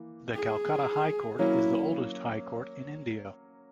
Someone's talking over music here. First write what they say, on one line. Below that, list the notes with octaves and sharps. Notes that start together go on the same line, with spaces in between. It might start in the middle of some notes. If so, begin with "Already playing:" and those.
The Calcutta High Court is the oldest High Court in India.
Already playing: E3 A#3
G#4
F#3 A#3 C#4 E4